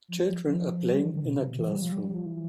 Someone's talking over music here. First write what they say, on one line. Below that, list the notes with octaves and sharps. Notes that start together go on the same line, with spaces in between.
Children are playing in a classroom.
F3
F3
F3
G3
E3
D3
B2
C3
B2
E3
G3
F3
G3
G3
F3
E3